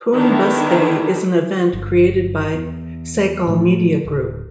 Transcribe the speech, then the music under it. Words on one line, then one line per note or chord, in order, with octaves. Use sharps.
Pune bus day is an event created by Sakal Media Group.
D3 D#3 B3 D4 E4
G1
E2
A2 F3 A3
D1